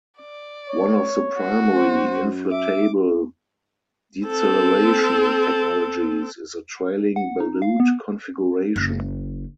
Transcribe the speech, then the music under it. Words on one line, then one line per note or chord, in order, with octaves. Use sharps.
One of the primary inflatable deceleration technologies is a trailing ballute configuration.
D5
C#5
F#4
F#2 C5
E5 D6
C4 A4
F#5
D#4
F5
B3
F#1